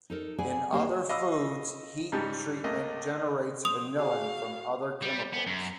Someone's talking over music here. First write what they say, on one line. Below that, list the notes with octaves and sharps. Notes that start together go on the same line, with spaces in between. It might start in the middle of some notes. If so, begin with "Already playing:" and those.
In other foods, heat treatment generates vanillin from other chemicals.
D#4 A4 A#4
G#4 A4 B4 D5 F#5 G#5
A#3 G4 G#4 C#5 D#5 E5
D#5 F5 B5 D6 E6
G#2 C#3 G3 D#4 G4 A5
C#2 A3 A#3 D#5
C5 D#6 F7
F#4 G#4 F5
G3
B3
F#2